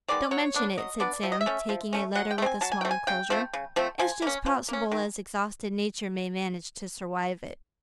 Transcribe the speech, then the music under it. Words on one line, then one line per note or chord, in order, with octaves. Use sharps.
'Don't mention it,' said Sam, taking a letter with a small enclosure. 'It's just possible as exhausted natur' may manage to surwive it.'
D#3 G#3 B3 D5
F#3 C#5
B3 D4
F#3 D#5
B3 D4 D5
F3 E5
D#5
E5
A3 C#4
F3
A3 C#4
F#3 F#5
G5
A3
C4 G#5
F#3 A5
G#5
G5
A3 C4
G#5
C#3 G5
F3 A3 C4
C#3
F3 A3 C4
F3 G#5
A#3 C#4
F3
A#3 C#4
D#3